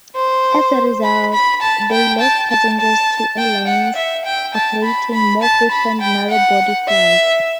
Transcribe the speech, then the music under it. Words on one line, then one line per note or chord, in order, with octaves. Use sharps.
As a result, they lost passengers to airlines operating more frequent narrow body flights.
C5
B5
B5
A5
G5
A5
A5
A5
G5
F#5
E5
G5
A5
B5
B5
A5
B5
G5
F#5
E5